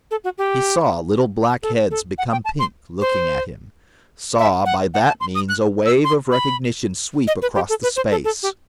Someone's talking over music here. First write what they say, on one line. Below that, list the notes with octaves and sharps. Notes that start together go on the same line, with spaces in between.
He saw little black heads become pink, looking at him, saw by that means a wave of recognition sweep across the space.
A4
F#4
G4
A4
A4
F#5
G5
A5
C6
C5
E5
F#5
F#5
A5
C6
D#6
F#6
E6
C6
B5
D#5
B4
G4
A4
B4
C5
A4
A4
G4